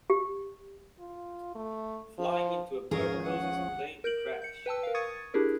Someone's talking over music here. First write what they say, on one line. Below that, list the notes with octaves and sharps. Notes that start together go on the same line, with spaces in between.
Flying into a bird causes the plane to crash.
G4
F4
A3
F3
G#1 D#2 F3 C#4 G#4 A#4 F5
F#5
A#4 G6 D7 F#7
G6 C#7
B4 G5 A5 E6
A#4 F5
C#6 D#6 G#6 A6 C#7 D#7
D4 E4 G4 G#4 A#4